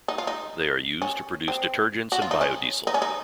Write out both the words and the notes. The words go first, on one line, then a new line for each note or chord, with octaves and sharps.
They are used to produce detergents and biodiesel.
D#4
F4
D#4
C#4
C4
F#4
F4
D#4
C#4
D#4
C#4
D#4